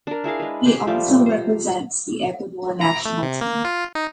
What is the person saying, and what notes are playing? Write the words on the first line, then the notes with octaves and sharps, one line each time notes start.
He also represents the Ecuador national team.
D4 A#4
E4 G#4 A#4 F5
G#3 B4
G4 G#4 C5
F3 G3 A3 D6
C5 A#5
A#5
A3
C3
A#3
F4
D#4